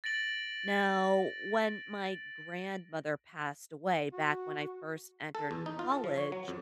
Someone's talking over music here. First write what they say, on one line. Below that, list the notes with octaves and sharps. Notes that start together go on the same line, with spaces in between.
Now, when my grandmother passed away back when I first entered college,
A6 A#6 D7 F#7
F#4
A4
E2
D#4
F4
A4
F3
C#5
F#3
F2